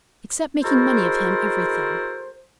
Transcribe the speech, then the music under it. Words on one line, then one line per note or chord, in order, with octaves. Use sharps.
"Except making money of him--everything?"
G#3 E4 F#4 A4 A#4 C5